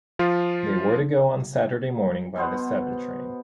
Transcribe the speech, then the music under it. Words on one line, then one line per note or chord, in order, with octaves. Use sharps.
They were to go on Saturday morning by the seven train.
F3 F4
B2 B3 C5 F#5